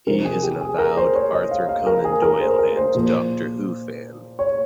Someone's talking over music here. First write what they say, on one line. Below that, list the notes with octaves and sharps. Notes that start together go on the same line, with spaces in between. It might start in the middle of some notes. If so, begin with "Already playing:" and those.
He is an avowed Arthur Conan Doyle and Doctor Who fan.
C3 F3 A#4
G#4
G4
G#4
A#4
C5
C#5
D#5
F5
F5
A#4
G#4
A#4
C5
A#4
C5
A#2 F3
C#5